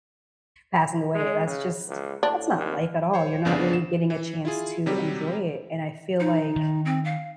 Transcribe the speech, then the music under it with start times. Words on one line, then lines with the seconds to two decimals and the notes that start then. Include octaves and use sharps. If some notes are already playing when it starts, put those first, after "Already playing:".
passing away. That's just that's not life at all, you're not really getting a chance to enjoy it, and I feel like
1.15 G#3
1.47 C#3
1.88 C#2
2.23 A2 D4
2.57 D#2
3.14 C5 C#5
3.45 G1 F2 C#3 B3 D4
3.73 E7
4.10 E3
4.45 E4 F4 G#4
4.86 C3 F#3 G3 G4
6.20 D#4
6.56 D#3
6.85 C4
7.05 F5